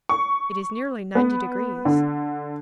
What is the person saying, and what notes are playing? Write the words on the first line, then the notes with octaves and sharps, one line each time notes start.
It is nearly ninety degrees.
C#6
B3
D3